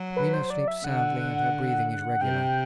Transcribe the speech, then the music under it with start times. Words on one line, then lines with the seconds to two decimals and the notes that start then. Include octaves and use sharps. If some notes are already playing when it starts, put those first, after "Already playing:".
Mina sleeps soundly and her breathing is regular.
Already playing: F#3
0.16 B4
0.34 C5
0.50 D5
0.68 E5
0.84 D3 F#5
2.21 C3 G5